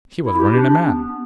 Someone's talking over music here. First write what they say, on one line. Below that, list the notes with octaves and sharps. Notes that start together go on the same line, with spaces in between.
He was running a man!
E4
G4
D4
D4
B3